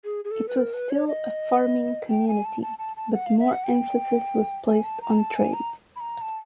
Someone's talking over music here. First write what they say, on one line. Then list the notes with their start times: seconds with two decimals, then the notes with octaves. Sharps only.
It was still a farming community but more emphasis was placed on trades.
0.05 G#4
0.25 G#4
0.31 A4
0.48 B4
0.56 A#4
0.74 B4
0.90 C#5
1.08 D#5
2.10 G5
2.28 G#5
2.45 A5
2.62 A5
2.79 A5
2.97 A5
3.14 F#5
3.26 F5
3.39 E5
3.52 F#5
3.64 G5
4.67 G#5
4.84 A5
5.02 A#5
5.19 A5
5.36 G#5
5.53 A#5
5.96 B5
6.00 A#5
6.21 A5